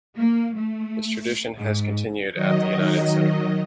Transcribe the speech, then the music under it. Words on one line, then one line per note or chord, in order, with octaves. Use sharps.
This tradition has continued at the United Center.
A#3
A3
G#2
D#3 F#3 D#5